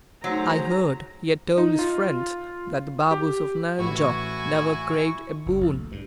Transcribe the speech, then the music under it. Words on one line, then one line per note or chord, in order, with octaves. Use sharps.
I heard he had told his friends that the Babus of Nayanjore never craved a boon.
F#3 A3 D#4 F#4 G#4 C5 F#5 A#5
D#4
F4
G4
A1 E4 F#4 B4 G#5 C#6
F#1
A#1
D2
G2